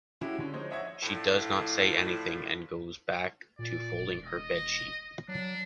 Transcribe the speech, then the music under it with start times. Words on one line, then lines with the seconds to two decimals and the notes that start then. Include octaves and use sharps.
She does not say anything and goes back to folding her bed sheet.
0.21 G#3 C#4 E4 F#4 G4
0.39 D3 C#4
0.53 F3 G#3 D#4 C5 C#5
0.70 C#5 D#5 E5 F#5 C#6 G#6
1.02 A2 F3 D4
3.59 A#2 D5
3.94 E1
4.27 D#5
5.28 F#3 D4